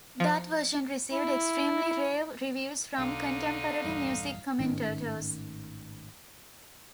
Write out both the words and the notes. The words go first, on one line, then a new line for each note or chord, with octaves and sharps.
That version received extremely rave reviews from contemporary music commentators.
F3
E4
B1 D3 D#4 F5
A#1 E2 G2
G#1 A2 D#3 C#4